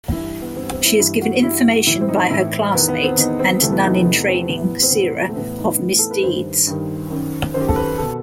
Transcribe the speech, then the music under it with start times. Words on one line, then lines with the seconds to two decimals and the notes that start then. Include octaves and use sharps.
She is given information by her classmate, and nun-in-training, Seira, of misdeeds.
0.12 G2 E3 E4
0.41 B3
0.56 G2 E3 C4
0.71 C4
0.85 E4
0.99 G2 E3 E4
1.22 F#4
1.43 G2 E3 E4
1.87 A2 E3 E4
2.01 C4
2.09 D#4
2.30 A2 E3 E4
2.74 E2 D#3 B3
2.88 B3
3.03 C4
3.18 E2 D#3 D#4
3.39 C4
3.61 E2 C3 E3 A3
3.72 B3
3.83 D#4
3.94 D#4
4.05 E2 C3 E3 D#4
4.27 C4
4.49 A2 E3 B3
4.82 C4
4.92 A2 E3 B3
5.29 A3
5.36 A2 E3 B3
5.58 D#4
5.79 A2 E3
5.99 A4
6.11 B4
6.23 G2 D#3 C5
6.67 G2 D#3
7.10 F#2 D#3
7.54 F#2 D#3 C5
7.61 G4
7.68 A4
7.76 B4
7.98 B2 A4